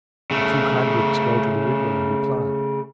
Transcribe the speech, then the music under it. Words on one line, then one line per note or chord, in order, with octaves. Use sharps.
The two convicts go to the window and reply.
C#3 A3